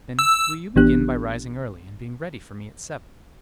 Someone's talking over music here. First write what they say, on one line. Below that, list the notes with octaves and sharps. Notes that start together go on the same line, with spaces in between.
"Then will you begin by rising early, and being ready for me at seven?"
E6
A1 E3 B3 D4 G4 F#6